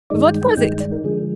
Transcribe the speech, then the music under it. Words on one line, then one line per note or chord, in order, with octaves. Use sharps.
"What was it?"
G2 D#3 G#3 D#4 D5
G5
G5
G2 D#3 G#3 D#4 G5
D5
A#4
D3 F3 G#3 G#4